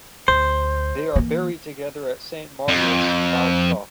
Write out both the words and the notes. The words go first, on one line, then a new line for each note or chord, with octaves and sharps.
They are buried together at Saint Margaret's, Lowestoft.
D2 C5
E3 A#3
F2